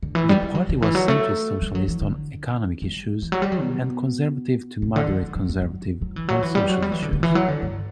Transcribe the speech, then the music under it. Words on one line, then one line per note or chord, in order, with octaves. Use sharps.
The party was centrist-socialist on economic issues and conservative to moderate-conservative on social issues.
D3
E3
G3
G3
F#3
D3
E3
F#3
A3
G3
F#3
E3
D3
G3
E3
F#3
G3
F#3
B2
C3
D3
E3
F#3
F#3
G3
F#3
F#3
E3
F#3
E3
G3
F#3
G3
E3
D3
D3
E3
F#3
D3
G2